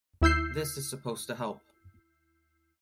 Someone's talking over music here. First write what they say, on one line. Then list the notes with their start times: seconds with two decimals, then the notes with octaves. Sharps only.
This is supposed to help.
0.22 D#2 E4 E6 G6 C7